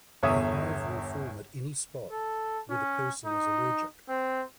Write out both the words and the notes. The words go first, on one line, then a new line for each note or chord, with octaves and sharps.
A hive will form at any spot where the person is allergic.
G1 E2 C#5 E5 D#6
A4
C#4
D#4
C4